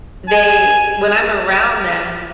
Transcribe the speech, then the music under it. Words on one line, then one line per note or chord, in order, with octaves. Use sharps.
they when I'm around them,
G#5